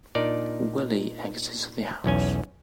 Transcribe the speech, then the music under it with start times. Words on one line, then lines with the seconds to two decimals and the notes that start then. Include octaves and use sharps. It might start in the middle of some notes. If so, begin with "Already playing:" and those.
Willy exits the house.
0.15 A#2 D4 D#4 A#4 D5
2.04 B1 E2 C#4 G#5